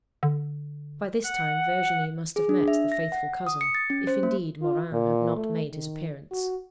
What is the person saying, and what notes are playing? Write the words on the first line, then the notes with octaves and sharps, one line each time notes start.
By this time Virginie must have met the 'faithful cousin:' if, indeed, Morin had not made his appearance.
D3
F#5
G#4
D4
E5
A#6
F#5
D#6
C#7
A6
C#4
C5
A#3
F4
A#2
A3
D#3
F#4